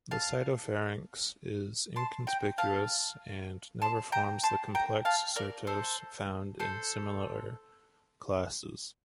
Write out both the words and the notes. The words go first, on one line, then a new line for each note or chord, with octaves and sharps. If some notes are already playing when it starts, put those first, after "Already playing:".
The cytopharynx is inconspicuous and never forms the complex cyrtos found in similar classes.
F5 A5
A5 C6
G5 A#5
F5 A5
A5 C6
G5 A#5
A5 C6
G5 A#5
F5 A5
A#4 D5
A4 C5
A4 C5